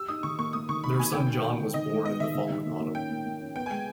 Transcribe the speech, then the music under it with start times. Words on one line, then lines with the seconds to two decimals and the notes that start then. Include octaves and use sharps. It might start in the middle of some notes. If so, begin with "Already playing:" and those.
Their son John was born in the following autumn.
Already playing: G4 E6
0.08 D#4 D#6
0.23 D#3 C#6
0.38 A#3 C#6
0.53 A#3 D#6
0.69 D#3 C#6
0.83 D#4 B5
0.99 A#3 G#5
1.14 D#3 G5
1.30 D#3
1.45 B3
1.60 D#3
1.74 D#3 D#5
1.90 G#3
2.05 B3 D#5
2.20 D#3 E5
2.35 D#3
2.50 D#3
2.65 A#3
2.80 A#3
2.95 C#4 G5
3.10 A#3
3.25 A#3
3.41 C#4
3.55 B3 G5
3.66 G#5
3.71 G#3 G5